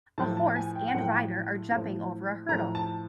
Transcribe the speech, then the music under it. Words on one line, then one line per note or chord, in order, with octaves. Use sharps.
A horse and rider are jumping over a hurdle.
A2 F3 A5
A5
G#5
G5
F#5
A2 F3
G5
A2 F3
A2 F3 A#5
A5